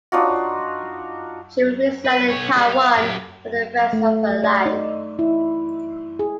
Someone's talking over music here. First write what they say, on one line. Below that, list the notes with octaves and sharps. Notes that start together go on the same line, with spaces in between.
She would reside in Taiwan for the rest of her life.
D4 D#4 F4 F#4
B4
B3 C#5
G3 G#3
F5
F#2 G4
A3
D5
D#4
E4
G#4